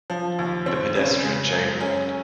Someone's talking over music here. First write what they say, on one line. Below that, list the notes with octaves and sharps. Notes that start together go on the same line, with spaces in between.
The pedestrian jaywalked.
F3
D#2
C4
C#3
G#3
F#2
C#4